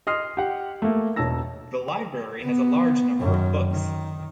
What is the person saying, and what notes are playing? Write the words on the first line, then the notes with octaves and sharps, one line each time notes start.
The library has a large number of books.
D#5 C6 D#6 F6 C7
G4 F#5
A3 A#3
E1 C#5 A5 E6 A#6
B3
F#2 D#3
D#3